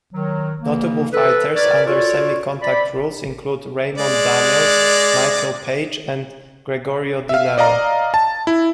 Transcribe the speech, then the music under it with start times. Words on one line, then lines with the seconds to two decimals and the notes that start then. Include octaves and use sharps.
Notable fighters under semi-contact rules include Raymond Daniels, Michael Page, and Gregorio Di Leo.
0.14 D#3 F#3
0.62 C#3 E3 A#3
1.13 A4 B4
1.56 A#4 B4 C#5 D5
1.85 F4 F#4 A4 C#5 D5
2.62 D5 B5
3.98 G#3 D5
7.29 E5 F5
7.58 D5 D#5 F5 A#5
8.14 A5
8.47 E4